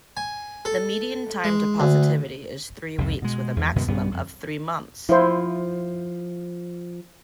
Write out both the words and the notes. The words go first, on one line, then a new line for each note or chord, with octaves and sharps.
The median time to positivity is three weeks with a maximum of three months.
G#5
A4
G#3
D2
C2 F2
B2 G#3
E2
F#2 B2 D3 G#3
B1 G2 G3 B3
F2
F3 E4 F4 C5